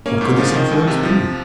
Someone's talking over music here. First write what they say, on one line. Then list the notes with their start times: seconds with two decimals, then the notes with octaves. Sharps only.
What could this influence be?
0.06 A#3 C#4
0.21 G#2
0.38 F3
0.55 D#3
0.71 C#2
0.87 C3
1.03 F3